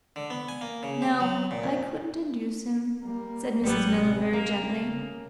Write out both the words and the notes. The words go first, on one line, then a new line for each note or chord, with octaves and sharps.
"No; I couldn't induce him," said Mrs. Miller very gently.
D3
B3
G#5
A#3
C#3
G4
F#3
A#2
F2
G3 A#3
A1 F#3 G3 B3
C3
A#3
C#3